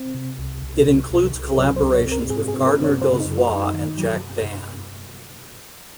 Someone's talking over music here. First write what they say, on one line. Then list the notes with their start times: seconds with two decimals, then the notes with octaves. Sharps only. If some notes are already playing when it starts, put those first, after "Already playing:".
It includes collaborations with Gardner Dozois and Jack Dann.
Already playing: C4
0.15 C3
0.39 C2
0.62 C2
0.87 C2
1.10 C2
1.34 C2
1.58 F#3 C#5
1.76 C5
1.82 C#2
1.94 C#5
2.07 C4
2.12 A#4
2.30 G#2 G#4
2.48 G#4
2.54 C4
2.66 A#4
2.78 C4
2.84 C#5
3.02 C#3 C5
3.20 D#4
3.26 F#2
3.38 F4
3.50 F#2
3.56 D#4
3.74 D#3
3.98 F#3